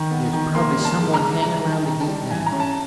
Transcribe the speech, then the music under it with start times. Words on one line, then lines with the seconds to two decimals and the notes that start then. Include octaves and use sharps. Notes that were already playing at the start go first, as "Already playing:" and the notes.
There's probably some one hanging around the gate now.
Already playing: D#3
0.11 B3
0.33 D#3
0.55 A#3 C6
0.77 G3
0.85 A5
0.98 G#2
1.14 A#5
1.20 G#2
1.42 G3 A#5
1.65 D#3
1.72 A5
1.86 D#3
2.01 A5
2.08 G3
2.30 E3 G#5
2.46 A#5
2.52 C#4
2.60 A5